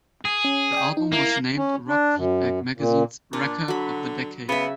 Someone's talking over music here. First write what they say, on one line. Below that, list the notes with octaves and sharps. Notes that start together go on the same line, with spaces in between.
The album was named Rockfeedback magazine's record of the decade.
G#4
C#4
D5 G5
D#4
A#3 E4
C#4
D4
F#2
A#2
A#2 D4
D3 F#3 B5
C#3 B3 E5